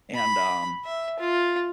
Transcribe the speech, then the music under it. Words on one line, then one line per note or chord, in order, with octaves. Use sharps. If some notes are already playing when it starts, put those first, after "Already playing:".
and, um,
B5
E5
F4